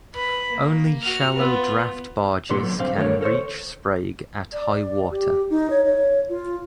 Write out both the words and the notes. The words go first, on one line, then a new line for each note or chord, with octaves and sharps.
Only shallow draft barges can reach Sprague at high water.
B4 B5
A#3
F#4 F6
B3 F4
C#2 A#2 D3 B3 C6
F#3
B1 G2 D3 C4 F5
D3 D#3 A3 B3 A#4 C#5
A4 A#4 C5 C#5
D5
G4
D#4
C#5
C#5
F4